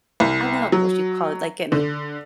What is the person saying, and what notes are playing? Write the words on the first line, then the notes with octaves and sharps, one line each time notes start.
I don't know what you call it, like in
C2
F#3
D3